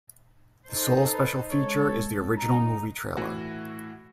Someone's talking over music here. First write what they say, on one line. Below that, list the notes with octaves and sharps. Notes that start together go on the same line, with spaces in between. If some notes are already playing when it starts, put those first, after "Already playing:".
The sole special feature is the original movie trailer.
D#4 A4 C5
B4
G#3 A4 C#5
D#4 A#5
A2 E3 F#4